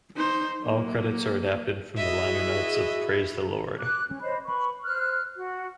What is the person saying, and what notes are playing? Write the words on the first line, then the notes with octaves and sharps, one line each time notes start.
All credits are adapted from the liner notes of "Praise the Lord".
D#4 C5
F#3 A#3
E4 F#4 G#4 D#5 E5
D6 F#6
C#4
C5 C#5 D#5 B5
B4 B5 C#6
C5 F6 F#6
F#4